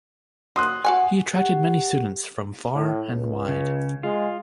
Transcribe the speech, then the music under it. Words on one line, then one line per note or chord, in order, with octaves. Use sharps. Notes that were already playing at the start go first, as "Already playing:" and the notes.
He attracted many students from far and wide.
F#3 C6 D#6 F#6
F#4 F#5 G#5
G4 F#5
A2
C#2
C#3
G#3 F4